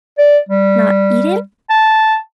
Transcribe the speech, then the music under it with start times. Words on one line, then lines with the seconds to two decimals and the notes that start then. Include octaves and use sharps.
Not eat it?
0.18 D5
0.48 G3
1.70 A5